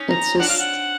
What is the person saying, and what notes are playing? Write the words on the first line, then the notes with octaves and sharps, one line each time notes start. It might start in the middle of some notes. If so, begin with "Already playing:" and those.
it's just
Already playing: C#4 D#4
A#5
C4 D4 F#5
F5
F#5